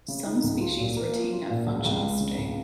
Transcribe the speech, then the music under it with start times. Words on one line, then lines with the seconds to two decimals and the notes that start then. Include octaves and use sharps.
Some species retain a functional sting.
0.08 C#3
0.26 D#4
0.44 C#2
0.61 F4
0.79 A#2
0.97 A#3
1.15 F3
1.32 F4
1.50 A#2
1.67 C#2
1.85 C#2
2.03 G#3
2.21 C#3
2.38 C#2